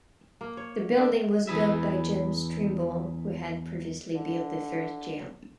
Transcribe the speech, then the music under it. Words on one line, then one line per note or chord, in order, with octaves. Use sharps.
The building was built by James Trimble, who had previously built the first jail.
A#3
C#5
D3
E2 E3 G#4 B4 E5
D3